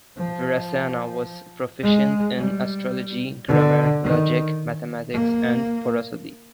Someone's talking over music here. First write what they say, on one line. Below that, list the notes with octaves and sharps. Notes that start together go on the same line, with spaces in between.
Virasena was proficient in astrology, grammar, logic, mathematics and prosody.
F3
G#3
G3
D3
D#3
A#3